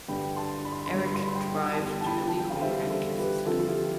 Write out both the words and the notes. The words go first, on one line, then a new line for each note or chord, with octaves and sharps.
Eric drives Julie home and kisses her.
G2 D3 G3 D4 G5 B5
A5 C6
B5
C6
B5
C6
G2 D3 G3 D4 B5
C6
B5
C6
B5
C6
G5 B5
A5
E2 D3 G3 G5 B5
A5
G5 B5
A5
G5
F5
E2 D3 G3 C5 E5
A4 C5
G4 B4
D3 F3 C4 F4 A4
F4
E4 G4